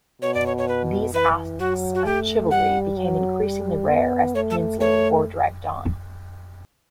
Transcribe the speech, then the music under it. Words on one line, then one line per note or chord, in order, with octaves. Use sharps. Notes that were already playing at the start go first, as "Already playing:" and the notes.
These acts of chivalry became increasingly rare as the Peninsular War dragged on.
B2 C#5
D5
C#5
C#5
B4
E3 B4
F#3 F#4
F#4
A3 G4
G3 F#5
F#3
G3
B3
A3 C#5
A4
A3 C#5